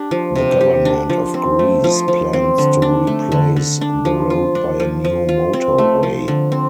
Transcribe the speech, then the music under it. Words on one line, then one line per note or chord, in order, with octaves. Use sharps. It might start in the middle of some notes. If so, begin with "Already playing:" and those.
The government of Greece plans to replace the road by a new motorway.
Already playing: D4 G4
F3
C3
G4
D4
F3
C4
A3
F3
F3
C4
D3
D4
A3
D3
D3
D4
F3
F4
D4
F3
F3
F4
C4
A3
F3
D3
C4